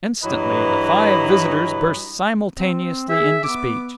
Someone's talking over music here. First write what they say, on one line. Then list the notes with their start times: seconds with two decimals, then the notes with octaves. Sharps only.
Instantly the five visitors burst simultaneously into speech.
0.23 G2 E3 F#3 B4 D#5 A#5
2.57 C4
3.09 G#4 E5
3.43 B3 D6